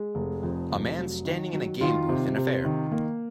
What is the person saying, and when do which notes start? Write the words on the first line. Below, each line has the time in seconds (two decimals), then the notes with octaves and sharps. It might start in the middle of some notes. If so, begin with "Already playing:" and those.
A man standing in a game booth in a fair.
Already playing: G#3
0.15 F1
0.43 F2
0.70 F1
0.99 F#3
1.25 D#3
1.53 F#3
1.81 D#3 F4
2.09 C3
2.36 C3
2.64 D#3
2.92 A#3